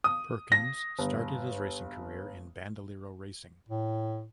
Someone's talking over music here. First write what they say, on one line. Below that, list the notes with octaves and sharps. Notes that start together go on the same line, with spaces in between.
Perkins started his racing career in Bandolero racing.
D#6
A#6
G1
A2